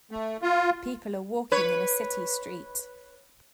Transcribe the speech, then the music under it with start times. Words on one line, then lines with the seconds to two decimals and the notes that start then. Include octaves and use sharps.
People are walking in a city street.
0.11 A3
0.42 F4
1.52 B4 C#5